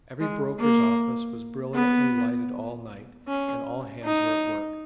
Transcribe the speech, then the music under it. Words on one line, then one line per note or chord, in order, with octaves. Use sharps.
Every broker's office was brilliantly lighted all night, and all hands were at work.
G#3
A#3
B3
C#4
D#4